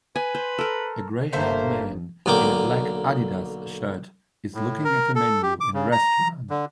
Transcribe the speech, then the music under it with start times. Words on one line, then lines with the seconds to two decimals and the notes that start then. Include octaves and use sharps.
A grayhaired man in a black Adidas shirt is looking at a menu in a restaurant.
0.16 B4 G#5
0.35 C5
0.59 A4 A#4
1.33 G1 A3 A#3 C5 E5 A#5 G6
2.26 B1 D3 A#3 G5 D6
4.54 A2
4.85 A#4
5.15 A4
5.43 G4
5.60 D6
5.74 C#3
5.92 A#5
6.50 D3